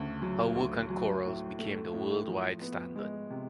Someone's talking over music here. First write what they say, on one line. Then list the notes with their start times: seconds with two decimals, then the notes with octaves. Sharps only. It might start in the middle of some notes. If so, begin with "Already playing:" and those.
Her work on corals became the worldwide standard.
Already playing: D2 C#3
0.22 F#3
0.55 D2
0.90 F#3
1.25 A2
1.59 A3
1.94 A2
2.28 F3
2.62 B3
2.96 G#3
3.30 C3